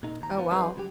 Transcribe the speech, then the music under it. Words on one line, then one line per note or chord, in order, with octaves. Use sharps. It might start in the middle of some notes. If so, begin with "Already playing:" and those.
Oh wow.
A#2 D#4
D#2 A#5
G#2 F3 B3 F4
F#3 C4 D#4 G#4 B4 C5
C#2 F#3 G4